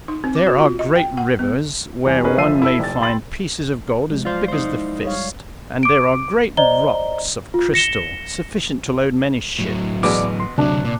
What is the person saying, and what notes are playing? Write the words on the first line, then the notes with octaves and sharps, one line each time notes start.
"There are great rivers where one may find pieces of gold as big as the fist; and there are great rocks of crystal, sufficient to load many ships."
D#4
C4
D6
F#4
F4
D#5
G5
F#5
B3
E2 G3 G#5
C#4 D#4 G#4 A#4 B4
F#1 F3 E5 E6 C7 D#7
E4 A4 E6
F1 F2 A6
G5 B5 C6 A6 F#7
F3 F#3 G#3
F4 C5 D5 F5
D#4 C5
E4
G3 C#5 F5
D6 D7
C5 D5 D#5 A#5 G7
F4
A#6 C#7 E7 G7
A2 F#3
B2 E3 G#3 D5 D6
C6
D2 C3 F#3 D4
A#2